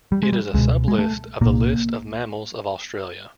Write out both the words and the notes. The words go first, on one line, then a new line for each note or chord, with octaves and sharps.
It is a sub-list of the list of mammals of Australia.
G3
G#3
G3
C#2 B2 G#3
G#3
A3
C2 A#2 A#3